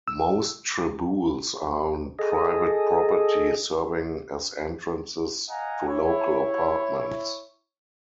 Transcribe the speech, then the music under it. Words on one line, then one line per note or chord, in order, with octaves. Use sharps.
Most traboules are on private property, serving as entrances to local apartments.
E6
G#4 A4 D#5
D#5 F5 F#5 G#5 A#5
E4 C#5